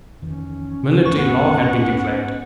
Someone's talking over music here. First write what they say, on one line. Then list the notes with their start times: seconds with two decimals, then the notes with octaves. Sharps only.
Military law had been declared.
0.22 F2 D#3 E3 C#4
1.06 C#2 G2 A3 B3 F#5 C#6